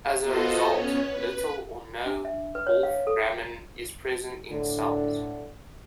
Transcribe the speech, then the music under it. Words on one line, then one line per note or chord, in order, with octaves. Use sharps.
As a result, little or no wolframin is present in cells.
B3 F4 F#4 A4 C5 D#5
B3 C#4 C#5
B4
D4
E5
B4
C#5
F5
A4
A2 D3